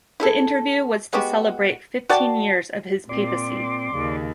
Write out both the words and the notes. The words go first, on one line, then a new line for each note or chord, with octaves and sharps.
The interview was to celebrate fifteen years of his papacy.
E4 G#4 A4
G#3 B3 F#4 G4
F#4 D5 G5 A5
A#2 C4 D5 C6 D6
D#2 C#3